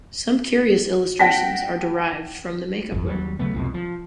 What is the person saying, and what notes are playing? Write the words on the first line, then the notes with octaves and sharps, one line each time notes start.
Some curious illustrations are derived from the makeup room.
F#5 G5 A5 A#6 B6
G#1 F2
D#2 F#3 G3
C#3 F#3 A3 B3
C2 F2 B2
F3